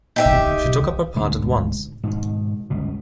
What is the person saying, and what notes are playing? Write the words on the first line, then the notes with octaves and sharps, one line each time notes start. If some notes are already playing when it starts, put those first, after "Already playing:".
She took up her part at once.
D#4 G4 E5
D2 G#2 B2 D3
G#2 B2 D#3
G1 C#2 B2